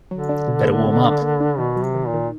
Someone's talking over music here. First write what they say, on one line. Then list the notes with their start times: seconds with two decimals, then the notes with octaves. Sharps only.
Better warm up.
0.11 D3 F#3
0.29 D4
0.47 B2
0.65 A#3
0.84 B2
1.03 D4
1.22 A#3
1.40 D4
1.58 B2 D#3
1.76 F#3
1.82 C3
1.95 D#3
2.08 A#2
2.14 D#3